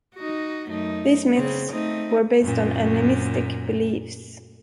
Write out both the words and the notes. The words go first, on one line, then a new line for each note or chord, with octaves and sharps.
These myths were based on animistic beliefs.
D#4 F#4
F#2 A3 D#4
C#3 C4
A3 C4 D#4
F#2 A#2